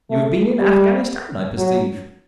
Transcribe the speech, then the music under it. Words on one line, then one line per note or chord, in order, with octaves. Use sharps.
"You have been in Afghanistan, I perceive."
A3
G3
F#3